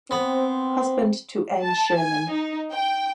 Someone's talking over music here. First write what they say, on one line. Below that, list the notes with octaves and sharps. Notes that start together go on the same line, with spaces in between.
Husband to Ann Sherman.
B3 C4
A5
G#5
D#4
G5